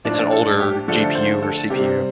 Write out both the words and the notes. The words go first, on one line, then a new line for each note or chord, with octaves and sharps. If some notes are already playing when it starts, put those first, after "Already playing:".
it's an older GPU or CPU.
A2 F3 D4 D5
A4
G4
D3 F3 A3 D4 A4
C5
A4
C3 G3 C4 G4